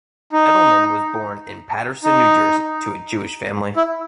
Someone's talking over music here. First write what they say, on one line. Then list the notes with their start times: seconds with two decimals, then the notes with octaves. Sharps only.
Edelman was born in Paterson, New Jersey, to a Jewish family.
0.33 D#4
2.04 D#4
3.77 E4